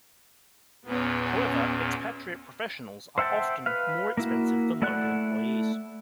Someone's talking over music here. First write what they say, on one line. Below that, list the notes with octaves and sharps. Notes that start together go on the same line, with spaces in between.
However, expatriate professionals are often more expensive than local employees.
E2 A#2 B3 C#4
C5 E5 F#5 G5 A5
B4 F5
A#3 E4 F#4
A3 E4 D5 F#5 F#6